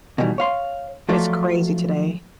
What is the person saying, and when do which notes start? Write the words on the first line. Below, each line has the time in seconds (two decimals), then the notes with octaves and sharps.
It's crazy today.
0.18 B2 D#3 E3 G3
0.38 C#5 F5 C6
1.09 F3 F#3 A3 F4 F#4 D5